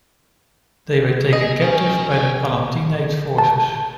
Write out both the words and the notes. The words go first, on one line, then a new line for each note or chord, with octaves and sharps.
They were taken captive by the Palatinate forces.
G#4 D#5
C#4 A#4 G5
G5 G#5
A5